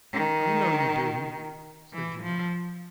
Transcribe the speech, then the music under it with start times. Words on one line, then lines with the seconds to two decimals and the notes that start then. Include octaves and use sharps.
"I know you do!" said Jude.
0.13 D#3
1.93 E3
2.22 F3